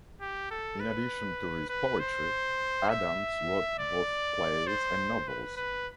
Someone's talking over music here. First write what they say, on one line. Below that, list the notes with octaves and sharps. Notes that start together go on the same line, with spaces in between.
In addition to his poetry, Adams wrote both plays and novels.
G4
A4
B4
B4
C5
E5
D5
C5
B4
B4